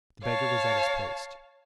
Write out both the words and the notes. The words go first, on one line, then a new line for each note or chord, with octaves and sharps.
The beggar was at his post.
C#5 F5 A5